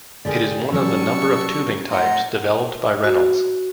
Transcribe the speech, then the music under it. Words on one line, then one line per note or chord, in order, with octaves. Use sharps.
It is one of a number of tubing types developed by Reynolds.
D3 G4 G#4 A#4 D5
F#3 G3 C#4 A5 C#6 E6
A2 F#5 A#5 C6
F#4